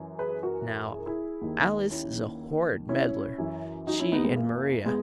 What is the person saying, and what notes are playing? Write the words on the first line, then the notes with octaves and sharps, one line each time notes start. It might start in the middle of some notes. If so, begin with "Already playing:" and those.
Now Alice is a horrid meddler--she and Maria.
Already playing: F#2 E3
G#4 B4
F#4 A#4
G#4
A#4
E4 G#4
D#2 D#3
C#4 E4
C#4 E4
F#2 E3
D#4 F#4
C#4 E4
B3 D#4
G#3 B3
A#3
G#3 B3